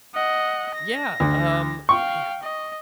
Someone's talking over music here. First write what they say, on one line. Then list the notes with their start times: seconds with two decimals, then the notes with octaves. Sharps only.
Yeah. Um, man,
0.15 D#5 F#5
0.74 A#6
1.20 D2
1.89 F5 G5 C#6
2.43 D#5